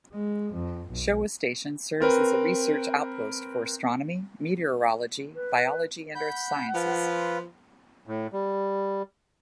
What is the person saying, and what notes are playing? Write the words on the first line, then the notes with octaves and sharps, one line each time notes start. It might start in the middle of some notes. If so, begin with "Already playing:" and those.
Showa Station serves as a research outpost for astronomy, meteorology, biology and earth sciences.
G#3
F2
B1
C4 A#4 B4
B4
F#5 B5 G6
F3 F4 B4
A2
G3